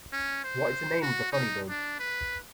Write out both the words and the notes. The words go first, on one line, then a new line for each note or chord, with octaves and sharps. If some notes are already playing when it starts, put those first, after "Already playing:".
What is the name of the funny bone?
C#4
C5
F#4
D#4
D4
B4